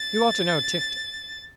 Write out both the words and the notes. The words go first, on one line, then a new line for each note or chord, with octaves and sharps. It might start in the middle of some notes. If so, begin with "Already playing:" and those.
You ought to know Tifto.
Already playing: A6